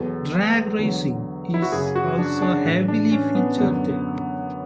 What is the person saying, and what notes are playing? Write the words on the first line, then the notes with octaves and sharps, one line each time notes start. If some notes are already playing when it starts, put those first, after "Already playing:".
Drag racing is also heavily featured there.
Already playing: E2 B2 F#3 A4
E2 D3 F#3
E4
F#4
F#2 C#3 F#3 G#4
F#4
D4
D4
A2 E3
D4
C#4
B3
F#2 D3 F#3 B3